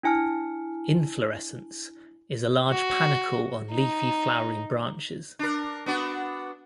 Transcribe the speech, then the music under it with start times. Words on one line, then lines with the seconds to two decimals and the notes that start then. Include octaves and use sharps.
Inflorescence is a large panicle on leafy flowering branches.
0.03 D4 E4 G#5 A5 F6
2.70 F#4
3.72 D#4
5.39 D4 A#4
5.86 B3 D4 F#4